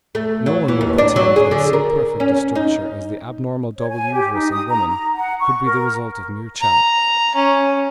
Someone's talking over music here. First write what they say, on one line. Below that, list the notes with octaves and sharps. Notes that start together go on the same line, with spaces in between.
No one will pretend that so perfect a structure as the abnormal double uterus in woman could be the result of mere chance.
A3
F#3
E3
D#2
D4
F#3
G#4
D3
A#4
C#4
D#4
C#5
G#5
G4
D#4
D#6
A#5
A#5
F#5
C#6
A#4
A#5
C#4